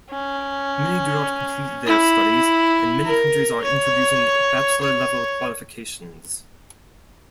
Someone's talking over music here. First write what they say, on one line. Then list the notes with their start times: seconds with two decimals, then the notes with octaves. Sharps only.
Many do not complete their studies, and many countries are introducing bachelor-level qualifications.
0.10 C#4
1.87 E4
3.05 A#4
3.63 C#5
4.81 C#5